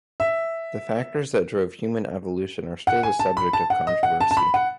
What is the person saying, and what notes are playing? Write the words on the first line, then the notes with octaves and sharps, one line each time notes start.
The factors that drove human evolution are still the subject of controversy.
E5
F#5
G#5
A5
B5
A5
F#5
D#5
F#5
A5
A5
B5
F#5